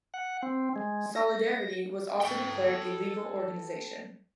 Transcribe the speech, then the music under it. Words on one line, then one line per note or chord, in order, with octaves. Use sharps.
Solidarity was also declared a legal organization.
F#5
C4
G#3
A#6
A4 G5